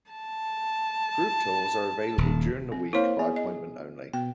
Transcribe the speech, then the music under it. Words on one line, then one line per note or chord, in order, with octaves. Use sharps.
Group tours are available during the week by appointment only.
A5
D#1
C4
A#3 E4 C5 C#5 F5
B3 G#4
D#5
B2 G5